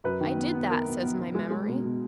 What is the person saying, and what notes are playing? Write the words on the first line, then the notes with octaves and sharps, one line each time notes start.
"I did that," says my memory.
F#2 B4
D#3
B3
B3
B3 A#4
B3
B3
B3
G#3
G#3
B2
B2